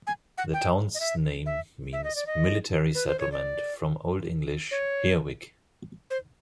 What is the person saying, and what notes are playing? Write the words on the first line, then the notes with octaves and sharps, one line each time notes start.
The town's name means "military settlement," from Old English "here-wic".
G#5
F#5
G5
D#5
E5
E5
E5
D#5
D5
D#5
B4
C5
C#5
D5
C#5
C5